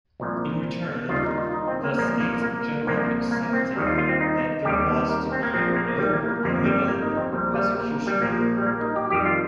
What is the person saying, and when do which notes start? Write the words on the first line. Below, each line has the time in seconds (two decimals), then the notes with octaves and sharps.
In return, the States-General accepted that there was to be no criminal prosecution.
0.20 C2 A#2 F3
1.08 D#2 D#3 G3 F4
1.23 D#4
1.38 F4
1.53 D#4
1.68 C4
1.83 A#3
1.98 C2 A#2 F3 A#3
2.20 A#3
2.42 A#3
2.87 C2 A#2 F3 A#3
3.31 A#3
3.53 C4
3.76 D#2 D#3 G3
3.87 F4
3.98 F4
4.09 C4
4.21 D#4
4.65 D#2 D#3 G3 G4
5.09 A#4
5.31 C4
5.43 A#3
5.54 A#1 A#2 F3 C4
5.76 A#3
5.99 G3
6.13 A#3
6.28 A#3
6.43 G1 F2 C3 F3 A#3
6.65 G3
6.88 A#3
7.03 D#4
7.17 C4
7.32 A#1 A#2 G3
7.54 G3
7.77 A#3
7.92 A#3
8.07 G3
8.21 A#1 A#2 F3 A#3
8.57 G3
8.66 A#3
8.81 D#4
8.96 G4
9.10 F2 D#3 G3 G4
9.25 F4